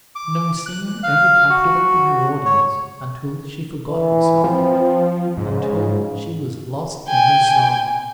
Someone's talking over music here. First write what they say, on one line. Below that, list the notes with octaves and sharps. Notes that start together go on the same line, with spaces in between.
No singer ever captivated her audience until she forgot herself, until she was lost in her song.
D6
F#6
F5
F#4
C#5
E3
F3 C4
G#2 C#3
G5 G#5